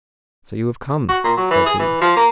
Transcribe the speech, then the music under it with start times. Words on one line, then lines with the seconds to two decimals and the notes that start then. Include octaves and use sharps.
"So you have come?" said he.
1.09 F#4
1.24 A#2
1.37 F#3
1.51 E3
1.66 G#4
1.79 E3
2.02 F3
2.17 A#3